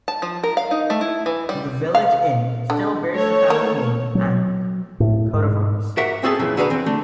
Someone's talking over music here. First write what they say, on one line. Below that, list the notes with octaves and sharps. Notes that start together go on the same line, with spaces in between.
The village inn still bears the family name and coat of arms.
A5
F3
A#4
F5
D#4
A3
E4
E3
G3
F5
D3
A3 A4 C#5
A#3
F#3
A2
G#2
F#4 G4 A#4 E5 F#5
C4 F#4 G#4 A4 G#5 A5
F#2 A#2 C#3 E3
D3 F#4 G#4 B4 E5 A#5
E3 C4
D3 A3